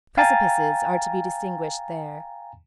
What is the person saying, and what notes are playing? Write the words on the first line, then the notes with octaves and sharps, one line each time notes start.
Precipices are to be distinguished there.
F5 G5 G#5 A#5 A6